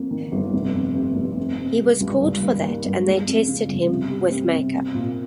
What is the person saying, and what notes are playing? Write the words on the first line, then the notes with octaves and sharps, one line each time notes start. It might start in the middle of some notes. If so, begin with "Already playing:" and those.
He was called for that and they tested him with makeup.
Already playing: F2 A#3
D#3
G1
F1
F2
C3
F1
C4
C3
G3
C#2
G2
D#3
A#3
G2
G#3
F2
C#3
G1
C3
G3
C4
C3
C4
A#2